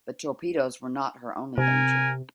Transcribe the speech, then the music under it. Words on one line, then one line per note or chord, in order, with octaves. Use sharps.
But torpedoes were not her only danger.
C3 A#4 G#5